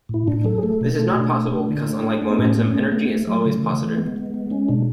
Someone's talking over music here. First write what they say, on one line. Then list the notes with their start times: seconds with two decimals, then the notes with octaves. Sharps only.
This is not possible, because, unlike momentum, energy is always positive.
0.09 A2 E4
0.27 A2 D4
0.45 F#3 A4
0.58 G#4
0.63 A3 A4
0.81 B2
0.93 A4
0.99 A3
1.06 F#4
1.15 B2 D4
1.33 A3
1.51 A3
1.69 D3
1.86 A3
2.03 A3
2.22 A3
2.31 B3
2.39 A2 C#4
2.53 A3 B3
2.65 C#4
2.75 A3 B3
2.92 A3 B3
3.06 B3
3.10 A3
3.27 F#3 A3
3.46 C#3
3.63 E3
3.81 E3
3.97 G#3 B3
4.16 G#3
4.34 G#3
4.50 G#3 C#4
4.69 B2 D4